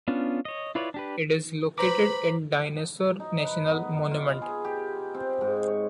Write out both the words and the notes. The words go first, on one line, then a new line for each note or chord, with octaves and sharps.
It is located in Dinosaur National Monument.
B3 C#4 D4 F4
C#5 D#5
E4 F4 B4 C#5 D5
D4 G4 B4
B4 C5 A#5 B5 D6
D#4
B4
B3
F4
G#4
G4
C4
G#2
C#5